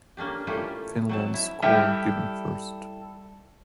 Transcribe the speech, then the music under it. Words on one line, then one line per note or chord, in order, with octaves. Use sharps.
Finland's score given first.
A#3 C#4 D4 G4
A3 A#3 C#4 E4 F4 G4
F#3 C4 A5
E4 E5
G3 E4 G4 A4 E5 G5